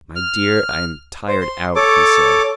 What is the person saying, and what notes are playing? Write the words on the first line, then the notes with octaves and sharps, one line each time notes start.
"My dear, I am tired out," he said.
F6
C5
C6
A4 C#5 D6